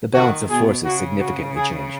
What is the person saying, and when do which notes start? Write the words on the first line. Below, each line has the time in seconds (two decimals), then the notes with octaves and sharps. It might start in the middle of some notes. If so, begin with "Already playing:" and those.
The balance of forces significantly changed.
0.14 D#3 F#4
0.50 B2 G#4
0.85 C#3 F#4
1.20 F#4
1.56 G#4